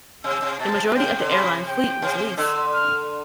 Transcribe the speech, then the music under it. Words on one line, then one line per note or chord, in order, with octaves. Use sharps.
The majority of the airline's fleet was leased.
C3 E6
C3
B2 A5
C3
B2
C3 G5
D3
C3 B5
G5
C3
D3 E6
F6